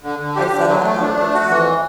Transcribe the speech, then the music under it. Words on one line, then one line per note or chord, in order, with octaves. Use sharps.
I said that, now he perks his ear up-
D3
D3
G4
D3
F#3
A3
D4
A3
F#4
E3